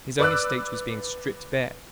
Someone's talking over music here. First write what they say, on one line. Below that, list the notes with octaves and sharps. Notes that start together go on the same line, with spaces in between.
His own estate was being stripped bare.
B4 D5 D6 E6 F#6